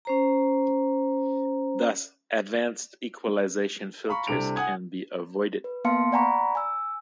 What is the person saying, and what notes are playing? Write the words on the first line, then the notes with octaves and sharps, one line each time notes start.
Thus, advanced equalization filters can be avoided.
C#4 C5 A#5
F5 A#5 B5 C#6
C2 C3 D4 A4 D7 F7
F#5 G#5 D#6 G#6
B4
A#3 B3 F5 A5 C6 C#7
D5 F#5 G#5 A#5 B5 C#6
G#5 E6